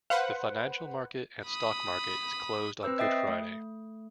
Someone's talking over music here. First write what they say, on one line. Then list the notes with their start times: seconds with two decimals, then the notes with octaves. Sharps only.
The financial market and stock market is closed on Good Friday.
0.10 B4 C5 F5 F#5
1.45 B5 D#6
2.83 C4 B4 C5 E6
2.99 D#5 E5 G5 D#6 A6 C7
3.29 A3